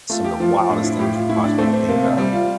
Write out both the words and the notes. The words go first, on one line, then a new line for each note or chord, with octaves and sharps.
some of the wildest things you could possibly think of,
A3 F4
G4
F3 F4
F4
A2 D4
D4
E4
A2 G4
F4
A2 E4
D4
A3 C4
C4
C3 A#3
C4
G3
F4